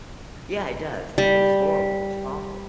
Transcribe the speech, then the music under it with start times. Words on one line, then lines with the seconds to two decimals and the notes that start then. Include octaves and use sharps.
Yeah, it does, it it's horrible, it's awful.
1.18 G3